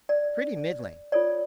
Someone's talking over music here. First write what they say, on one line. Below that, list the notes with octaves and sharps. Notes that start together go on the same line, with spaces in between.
"Pretty middling."
D5
F4 A4 C#5 D5